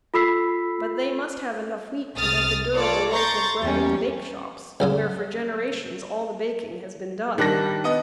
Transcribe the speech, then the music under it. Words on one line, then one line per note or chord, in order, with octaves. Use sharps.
But they must have enough wheat to make a durable loaf of bread at the bakeshops, where for generations all the baking has been done.
F4 A4 B5 E6 B6 C7
C2 D#6 F6 A6
F4 A4 C#5 D5
A#5 C6 C#6 G6 A6
E2 G3 A#3 C#4
C#2 F#2 C#3
D#3 G3 D4 F#6 A#6
B3 D#5